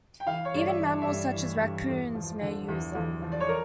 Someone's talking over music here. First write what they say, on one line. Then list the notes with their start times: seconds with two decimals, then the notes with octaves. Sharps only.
Even mammals such as raccoons may use them.
0.20 G5
0.27 E3 F5
0.45 C#5
0.54 G2 D5
0.67 E5
0.80 E3
1.02 E5
1.07 G2 D5
1.34 E3
1.61 G2
1.88 E2
2.15 F3
2.41 D3
2.68 E2
2.95 E2
3.22 F3
3.32 D5
3.40 C#5
3.49 A#4